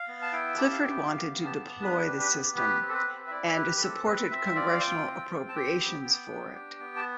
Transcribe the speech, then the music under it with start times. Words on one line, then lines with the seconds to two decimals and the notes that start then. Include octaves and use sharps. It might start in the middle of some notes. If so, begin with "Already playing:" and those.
Clifford wanted to deploy the system, and supported congressional appropriations for it.
Already playing: F5
0.08 B3
0.22 A5
0.32 E4 G5
0.57 G4 A5
0.72 F5
0.82 B3 G5
1.07 G4 F5
1.33 B3
1.45 A5
1.57 B3
1.82 D4 B4
2.07 G4
2.19 B4
2.32 B3
2.56 G4 B4
2.81 C4
2.89 A4
2.94 B4
3.07 C4
3.27 E5
3.31 E4 D5
3.56 G4 B4
3.77 B4
3.81 C4 A4
4.06 C4 B4
4.31 C4 E5
4.55 F4 D5
4.72 F5
4.80 F4 G5
5.06 C4
5.31 C4
5.49 A5
5.55 G4 G5
5.80 B3
6.05 B3
6.30 D4
6.54 G4
6.80 B3
6.96 A5